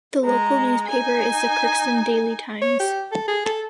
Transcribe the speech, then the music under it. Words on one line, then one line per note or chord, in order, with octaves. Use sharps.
The local newspaper is the "Crookston Daily Times".
G#3 A#5
D#4 G#5
C#5
G4
A4
G#4
A4